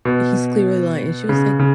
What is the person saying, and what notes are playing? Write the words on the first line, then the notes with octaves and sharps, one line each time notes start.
he's clearly lying. And she was like,
B2
C#3
C#3